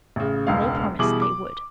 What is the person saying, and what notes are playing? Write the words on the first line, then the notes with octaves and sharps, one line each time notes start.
And they promised they would.
A1 C#3
E1 C#2 F5
B2 E3 G3 G#4 D6 F#7
D6